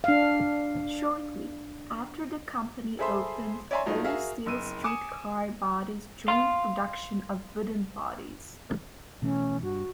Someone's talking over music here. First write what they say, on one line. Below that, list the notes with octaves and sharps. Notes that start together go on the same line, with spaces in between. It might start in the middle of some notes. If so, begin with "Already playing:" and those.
Shortly after the company opened, all-steel streetcar bodies joined production of wooden bodies.
D4 F5
G#4 A4 C5 E5 B5 C6
C#5 D5 E5 G#5 A#5 C6
G2 A#2 F#3 A3 D#4
F#4 G#4 A#4 E5 F5
F#1 E6 D#7
G#5 D6 D#6 C#7 E7
F5 C6
B2 E3 A3 C#4
G2 F#4